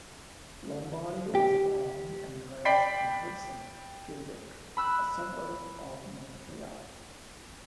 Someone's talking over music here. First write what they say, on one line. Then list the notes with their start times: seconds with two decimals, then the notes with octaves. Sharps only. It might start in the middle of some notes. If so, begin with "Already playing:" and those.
Lombardi was born and raised in Hudson, Quebec, a suburb of Montreal.
1.35 G4
2.65 D5 G5 B5 B6 C7
4.77 B5 E6 F#6